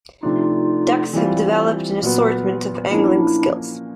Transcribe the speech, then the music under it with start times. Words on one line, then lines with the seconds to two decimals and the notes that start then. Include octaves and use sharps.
Ducks have developed an assortment of angling skills.
0.23 C3 F3 A3 D4 D#4 F4
1.13 E3 G3 C4 F4
2.02 A#2 F#3 B3
2.91 F3 A#3 C#4 D4 E4